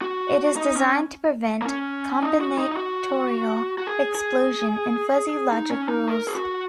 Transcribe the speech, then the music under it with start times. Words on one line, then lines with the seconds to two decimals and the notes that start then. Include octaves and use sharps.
It is designed to prevent combinatorial explosion in fuzzy logic rules.
0.02 F#4
0.56 D#4
0.75 C#4
1.62 A#3
1.66 C#4
2.22 D#4
2.41 F#4
2.58 D#4
2.72 D#4
2.77 F#4
3.78 F#4
3.87 G#4
4.15 G#4
5.52 D#4
5.71 C#4
5.88 D#4
6.08 A#4
6.27 G#4
6.35 F#4